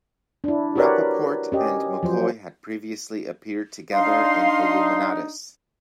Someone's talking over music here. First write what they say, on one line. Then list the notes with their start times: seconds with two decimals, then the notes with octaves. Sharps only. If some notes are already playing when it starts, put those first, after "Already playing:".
Rappaport and McCoy had previously appeared together in Illuminatus!
0.44 D4 E4
0.76 F#4 G4 A#4 B4 C#5 D5
1.52 C#4 G4 D#5
2.03 F3 F#3 C5
3.92 D4 D#4 F5 C6